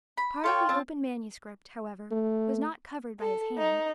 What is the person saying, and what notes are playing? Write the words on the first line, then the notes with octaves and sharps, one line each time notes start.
Part of the open manuscript, however, was not covered by his hand.
B5
F4 A4 C#5 G5
C4 A5
A3
A4
D#4